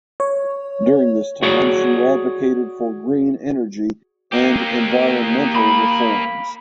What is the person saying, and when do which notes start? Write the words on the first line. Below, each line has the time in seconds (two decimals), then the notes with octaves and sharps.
During this time she advocated for green energy and environmental reforms.
0.20 C#5
1.43 F#4 G#4 C#5 D5
4.32 A#3 G4
5.56 B5